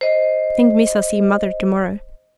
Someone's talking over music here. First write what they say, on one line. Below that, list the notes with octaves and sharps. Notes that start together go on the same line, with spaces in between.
Think Missa see Mother to-morrow.
C5 D#5